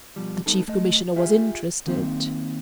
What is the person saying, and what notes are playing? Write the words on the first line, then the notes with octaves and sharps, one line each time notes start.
The Chief Commissioner was interested.
B2 F3 G3
G3 B3 D#4 A4
A3 D#5
F4 G4 G#4 E5
D#3 A#3 C4 D#4